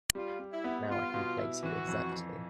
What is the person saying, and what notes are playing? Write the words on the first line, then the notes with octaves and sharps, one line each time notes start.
Now I can place you exactly.
G3 F4
G3
E4
B3
B3 F4
B2
E4
E3 F#4
F2
F2